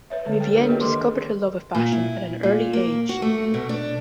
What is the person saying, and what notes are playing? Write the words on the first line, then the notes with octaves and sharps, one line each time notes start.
Vivienne discovered her love of fashion at an early age.
B4 C#5 E5
D3 G#3 A4 C#5
G#4 C#5 G5
A#3 D4 F#4 A#4 B4
G4 G#4 B4 D#5 G5
D#3 G4 A4 D#5 C6 D6
A#2
E4
A#2
A#3
F#4
A3
B2
D4